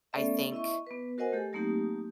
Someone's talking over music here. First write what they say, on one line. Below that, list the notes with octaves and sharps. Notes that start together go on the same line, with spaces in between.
I think
A3 B3 C#4 A4 D5 E5
E4 D#5 E5 C#6
B3 B4
F#4 A#4 C5 D#5 F#5 G#5
A3 G4 A4
F#3 A3 A#3 C4 D#4 G4